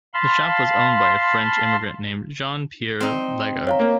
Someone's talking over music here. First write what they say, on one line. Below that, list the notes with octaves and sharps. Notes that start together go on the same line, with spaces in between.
The shop was owned by a French immigrant named Jean-Pierre Lagarde.
F5 A5 B5 C6
C4 D#4
C#5 F5 A#5
A#3